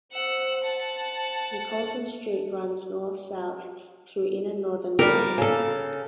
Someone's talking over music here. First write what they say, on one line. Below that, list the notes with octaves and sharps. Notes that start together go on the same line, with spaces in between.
Nicholson Street runs north-south through inner northern Melbourne.
C5 F#5 E6
F#5 A5
G3 G4 A#4
C#3 A4